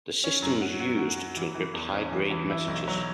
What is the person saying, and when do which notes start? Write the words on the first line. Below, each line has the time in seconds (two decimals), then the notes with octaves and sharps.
The system was used to encrypt high-grade messages.
0.24 C#4
0.42 F#2
0.61 F#4
0.80 F#4
0.98 F#4
1.17 F#4
1.37 E3
1.55 E3
1.74 E2
1.93 C#4
2.12 E3
2.31 E3
2.50 E4
2.68 B1
2.88 F#3